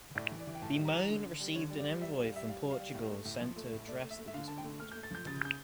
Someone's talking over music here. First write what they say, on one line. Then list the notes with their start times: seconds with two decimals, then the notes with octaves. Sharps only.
Bemoim received an envoy from Portugal sent to address the dispute.
0.15 A2 D5
0.32 E3
0.40 D5
0.47 E3
0.55 G5
0.62 A2 A5
0.78 G3
0.85 A#5
0.94 E3
1.09 D3
1.25 D3
1.40 G3
1.55 D3 C#5
1.70 G3
1.78 D5
1.86 G3
2.01 G3 E5
2.17 G3
2.25 F5
2.32 G3 E5
2.48 G3 F5
2.63 G3
2.71 F5
2.79 G3
2.95 A2
3.10 A3
3.25 A2
3.41 F3
3.56 A3
3.72 A2
3.87 A3 D5
4.03 A3
4.10 E5
4.19 A3
4.27 E5
4.34 D3 F5
4.48 D3 A5
4.58 G5
4.64 A3
4.80 A3 F6
4.92 A3 G6
5.03 A6
5.11 F3 G6
5.27 C#3 A6
5.42 C#3 G6